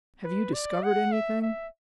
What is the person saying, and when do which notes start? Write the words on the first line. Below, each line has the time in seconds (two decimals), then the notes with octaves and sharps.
"Have you discovered anything?"
0.24 B4
0.53 D5
0.83 F#5
1.12 E5
1.42 E5